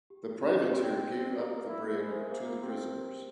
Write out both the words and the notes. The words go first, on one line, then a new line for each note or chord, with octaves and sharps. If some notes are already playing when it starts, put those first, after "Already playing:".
The privateer gave up the brig to the prisoners.
G4
C4 G#4
A#3 A#4
E4
G#3 C5
C5 E5
A#4
A#3 G#4
C4 G4
G#4
A#4